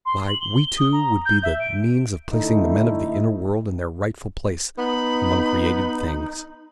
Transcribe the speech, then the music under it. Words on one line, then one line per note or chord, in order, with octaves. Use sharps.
Why, we two would be the means of placing the men of the inner world in their rightful place among created things.
C6
F#7
G7
D#6
A#5
G6
E5
D7
D3 A3 D#4 E4
B3 D#4 B5